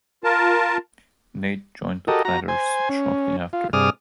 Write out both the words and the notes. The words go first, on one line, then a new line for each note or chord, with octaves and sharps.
Nate joined The Platters shortly after.
F4 A#4 A5
F#4 G4 A4 A#4 D#5
F#4 A#5
C5 G#5
C#4
F4
G2 C3 G#4 D5 D#6 F6